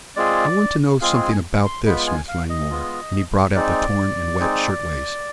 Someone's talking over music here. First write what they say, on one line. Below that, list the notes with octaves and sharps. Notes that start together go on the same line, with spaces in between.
"I want to know something about this, Miss Langmore," and he brought out the torn and wet shirtwaist.
G#3 C4 F4 G#4 D5
G#3 C4 F4 G#4 F5
G#5
C6
G#3 B3 F4 B5
G#5
F5
D#5
G#3 B3 F4
G#3 C4 D#4 G#4 D5
G#3 C4 D#4 G#4